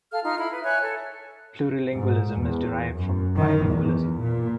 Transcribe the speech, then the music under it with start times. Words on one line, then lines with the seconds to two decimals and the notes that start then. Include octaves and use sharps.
Plurilingualism is derived from bilingualism.
0.12 A4 F5 F6
0.24 D#4 F4 F6
0.39 E4 B5
0.51 B4
0.63 C#5 E5 G#5 F#6
0.82 A4
1.95 G#2
2.40 E2
2.95 F#2
3.36 D#3
3.69 E2
4.20 A#2